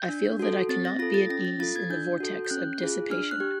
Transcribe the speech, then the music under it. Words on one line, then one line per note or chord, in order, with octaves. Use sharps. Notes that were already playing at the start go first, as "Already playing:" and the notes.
I feel that I cannot be at ease in the vortex of dissipation.
Already playing: G6
D4
F#4 A4
C4 A6
A#6
F4 A4 A#6
A6
C#4 A#6
A6
F4 A4 A6
G#6
D4 G6
F#4 A4
G6
C#4 F#6
F4 G#4
D4 F6
F#6
G4